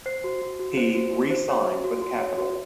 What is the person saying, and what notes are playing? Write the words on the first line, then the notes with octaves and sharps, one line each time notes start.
He re-signed with Capitol.
C5 C7
F#4
F#4
F#4
C5
F#4
F#4
C5
C#5
F#4
F#4
F#4
C#5
F#4